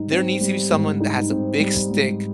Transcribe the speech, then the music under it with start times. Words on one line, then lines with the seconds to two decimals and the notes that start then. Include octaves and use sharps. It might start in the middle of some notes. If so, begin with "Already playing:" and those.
There needs to be someone that has a big stick
Already playing: G#2 G3 D#4
0.11 C4
0.40 G3
0.70 G#2
1.00 D#4
1.30 C4
1.60 G3
1.90 G#2